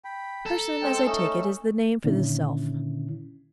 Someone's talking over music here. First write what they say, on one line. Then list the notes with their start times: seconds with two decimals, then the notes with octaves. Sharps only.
PERSON, as I take it, is the name for this self.
0.04 G5 B5
0.46 A4 A#5
0.82 G#3 C4 G5
1.06 A3 C#4 D#4
2.04 A#2 D3 D#3 C#4 E4